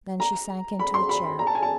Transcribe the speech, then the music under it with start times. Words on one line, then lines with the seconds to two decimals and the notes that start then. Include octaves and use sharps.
Then she sank into a chair.
0.20 A#5
0.79 B5
0.94 C6
1.09 B5
1.24 B5
1.39 A#5
1.47 A5
1.55 G#5
1.63 A5